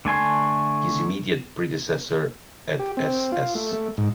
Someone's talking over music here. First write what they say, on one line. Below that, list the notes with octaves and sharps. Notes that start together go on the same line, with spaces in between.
His immediate predecessor at Ss.
D3 A3 G#5 C6
G4
C4
F4
A3
A3
G#2